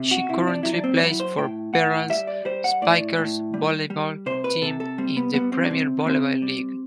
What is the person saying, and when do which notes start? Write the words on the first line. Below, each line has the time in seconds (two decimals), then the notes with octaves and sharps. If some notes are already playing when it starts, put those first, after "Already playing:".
She currently plays for Perlas Spikers volleyball team in the Premier Volleyball League.
Already playing: C3
0.11 F#4
0.29 C3 E4
0.47 D4
0.63 F#3 E4
0.73 D4
0.84 C4
0.96 D4
1.01 F#3 E4
1.20 C5
1.38 A2 G5
1.73 A2 F#5
2.10 G3 E5
2.27 D5
2.45 G3 C5
2.64 F#5
2.82 A2 D5
3.18 A2
3.54 G3
3.90 G3
4.26 C3 C5
4.44 B4
4.62 C3 A4
4.80 A4
4.98 G3 C4
5.17 B3
5.34 G3 B3
5.52 C4
5.65 D4
5.70 C3 C4
6.06 C3 C4
6.42 G3